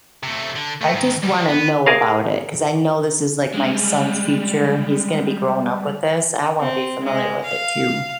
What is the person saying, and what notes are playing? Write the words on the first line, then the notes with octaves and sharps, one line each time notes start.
I just wanna know about it 'cause I know this is, like, my son's future. He's gonna be growing up with this, and I wanna be familiar with it too.
C3 A3
D3
A3
G#2 D#3
C#2 G3
B3
G#4 A#4 F5
G3 G#3
C4
G#3
F5